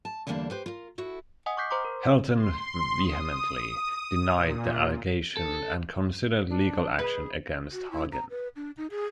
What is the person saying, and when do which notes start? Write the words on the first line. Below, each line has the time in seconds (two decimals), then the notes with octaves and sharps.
Helton vehemently denied the allegation and considered legal action against Hagin.
0.05 A5
0.27 E2 D3 G3 A#3 D4 A5
0.50 G4 B4 C5
0.66 F4 A#4
0.98 E4 F#4 A4
1.46 D#5 F#5 G#5 D#6
1.57 C#6 D6 F#6 G6 B6 C7
1.71 C5 A#5 C6 D6
1.85 A#4
2.03 F#5
2.35 C6
2.96 D#6
4.33 A#2
5.37 A4
6.50 D4
6.99 G#4 B4
7.72 F#4
7.91 E4
8.12 A#5
8.30 B4
8.56 D4
8.77 D#4
8.91 G#4